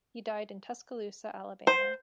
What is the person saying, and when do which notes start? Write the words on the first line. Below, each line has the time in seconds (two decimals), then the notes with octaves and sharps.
He died in Tuscaloosa, Alabama.
1.67 C5